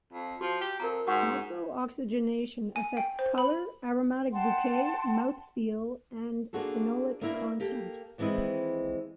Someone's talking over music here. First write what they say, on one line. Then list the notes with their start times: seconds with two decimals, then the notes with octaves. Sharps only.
Micro-oxygenation affects colour, aromatic bouquet, mouth-feel and phenolic content.
0.13 F2
0.41 F3 F#4
0.61 G4
0.80 F2 A#4 A#5
1.07 G#2 F#4 F#5 C#6
2.76 G#5
2.97 G5
3.19 C5
3.38 B5
4.33 F#5 G5 A5 C6
6.53 A#3 D4 F4 F#4 G#4 A4
7.21 A#3 B3 D4 E4 A#4
7.60 A#3 G4 A4
8.18 D#2 E3 G#3 C4 E4 D#5